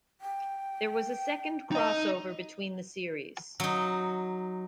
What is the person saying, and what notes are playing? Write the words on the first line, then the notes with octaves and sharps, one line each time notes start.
There was a second "crossover" between the series.
G5
D#4 D#5
F#3 D#4